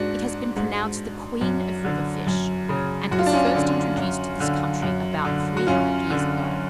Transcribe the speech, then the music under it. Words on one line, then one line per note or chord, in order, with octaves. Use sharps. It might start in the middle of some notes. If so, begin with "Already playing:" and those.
It has been pronounced the queen of river-fish, and was first introduced to this country about three hundred years ago.
Already playing: G#2 D4 F#4
G#2
F#2
D3
F#2
C#3
F#2 F#4
F4
D4
C#4 F4
D3
F#2
D3
F#2
D3
F#4
F#2 C#4 F4
D3